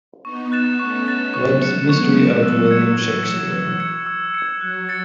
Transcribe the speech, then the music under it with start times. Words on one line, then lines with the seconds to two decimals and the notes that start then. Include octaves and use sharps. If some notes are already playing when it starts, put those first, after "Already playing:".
Webb's "Mystery of William Shakespeare".
0.24 B3 D#4 C#6
0.52 F#6 A6 E7
0.79 A3 C#4 C#6
1.06 F#6 A6 E7
1.34 F#3 A3 C#6
1.61 F#6 C#7 E7
1.89 G#3 B3 C#6
2.16 F#6 C#7 E7
2.43 F#3 E6
2.71 G#6 C#7 E7
2.97 E3 E6
3.24 G#6 C#7 E7
3.52 E6
3.80 G#6 C#7
4.06 E6
4.34 G#6 C#7
4.61 F#3 F#6
4.89 A6 C#7